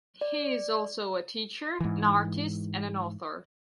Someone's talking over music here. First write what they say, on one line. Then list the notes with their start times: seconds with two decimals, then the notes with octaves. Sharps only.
He is also a teacher, an artist and an author.
0.21 D5
1.80 G#2 E3